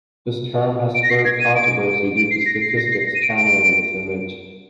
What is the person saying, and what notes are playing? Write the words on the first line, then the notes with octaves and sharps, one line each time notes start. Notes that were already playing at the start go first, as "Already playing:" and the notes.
This term has spurred controversy due to statistics countering this image.
D7
A#6
C7
G#6
D#7
D7
D7
C7
A#6
C7
A#6
C7
A#6
D#7
D7
D7